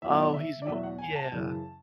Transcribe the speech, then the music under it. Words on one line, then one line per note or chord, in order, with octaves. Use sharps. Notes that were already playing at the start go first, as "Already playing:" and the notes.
Oh, he's m yeah.
E2 B2 F#3 E5
D5
E5
D5
E2 B2 F#3 E5
F#5
G#5
A5
F#2 C#3 E3